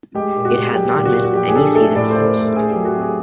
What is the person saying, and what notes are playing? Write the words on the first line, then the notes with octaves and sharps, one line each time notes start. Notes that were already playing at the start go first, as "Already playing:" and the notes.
It has not missed any seasons since.
G#3 G4
A#2
F#4
A#2
G#4
F#3 G4
A#2
F#4
A#2
F#4
F3 G4
G#4
D4 A4
A3 A4
A2 D5
A2 C5
A#4
A3 A4
A3 G#4
F#3 G4
F#4
C4
G#4